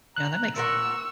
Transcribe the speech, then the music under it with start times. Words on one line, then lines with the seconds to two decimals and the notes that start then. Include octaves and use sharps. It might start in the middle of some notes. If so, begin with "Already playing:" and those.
Yeah, that makes
0.16 A#5 F#6
0.56 A#2 A#4 F#5 C#6 E6